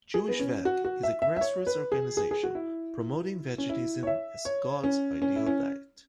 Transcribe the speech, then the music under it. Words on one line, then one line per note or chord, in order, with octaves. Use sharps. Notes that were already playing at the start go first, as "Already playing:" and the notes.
Jewish Veg is a grassroots organization promoting veganism as "God's ideal diet".
G#4
B3
C#4
F#4
F#4
E5
E5
E5
C#5
B4
G#4
G#4
G#4
F#4
E4
C#4
E4
C#5
E5
C#5
C#4
C#4
E4
C#4